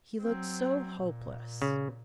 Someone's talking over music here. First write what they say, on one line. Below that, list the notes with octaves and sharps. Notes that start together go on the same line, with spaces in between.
He looked so hopeless.
F#3 C4
A#2
C#3